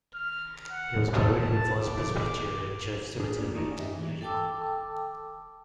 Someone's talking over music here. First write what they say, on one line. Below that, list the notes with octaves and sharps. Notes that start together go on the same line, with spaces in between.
He was buried in the First Presbyterian Church Cemetery in New York.
F6
F#5
A5
D6
D4 G#4
A#3 D4 F4
D#3 A3 D#4 E4 D5 A#5
C#4 F5
G4 D#5 E5
A#2 E3
A4 G5 A5 D6 E6